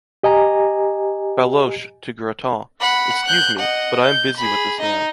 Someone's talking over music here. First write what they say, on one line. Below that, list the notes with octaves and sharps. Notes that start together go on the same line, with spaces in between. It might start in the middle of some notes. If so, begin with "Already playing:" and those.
Baloche, to Gratin. — Excuse, me: but I am busy with this man.
G4 D#5 G#5 A#5
F#5 B5
F#6 G6
D#5 F#5
G6
G#4 B5
D#4 D#5